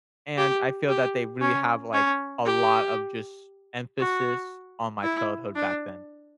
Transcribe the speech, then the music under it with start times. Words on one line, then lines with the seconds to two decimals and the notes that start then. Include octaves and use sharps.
and I feel that they really have, like, a lot of just emphasis on my childhood back then.
0.37 G4
0.89 G4
1.41 C#4
1.93 C#4
2.45 G4
3.99 F#4
5.03 E4
5.55 D4